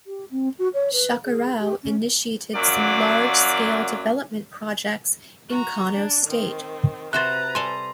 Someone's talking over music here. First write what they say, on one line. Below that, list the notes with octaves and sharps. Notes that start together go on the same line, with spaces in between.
Shekarau initiated some large scale development projects in Kano State.
G4
C4
F#4
C#5
B4
G#4
G4
C#4
F#2 A#2 F#3 A#3 D5
F#4 A#5
D4
D#3 C4
C3 F#4 B4 C5 A#5 F#6 A6
G3 A4 G#5 C6